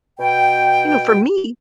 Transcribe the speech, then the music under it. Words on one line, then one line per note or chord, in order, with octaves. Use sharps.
You know, for me,
B2 G5